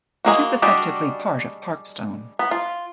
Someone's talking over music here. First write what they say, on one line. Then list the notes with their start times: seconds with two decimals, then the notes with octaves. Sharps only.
It is effectively part of Parkstone.
0.25 G#3 A#3 F#4
0.62 G3 G#3 D4 F#4 G4
2.39 B3
2.51 F4